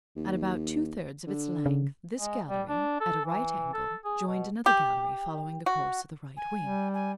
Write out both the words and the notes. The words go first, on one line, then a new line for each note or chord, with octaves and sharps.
At about two-thirds of its length this gallery, at a right angle, joined another gallery following the course of the right wing.
D#2
D3
C#3
G#3
G3
D4
A4
E3
A4
G#4
B2
G4
F#4
G#5
G3
G#5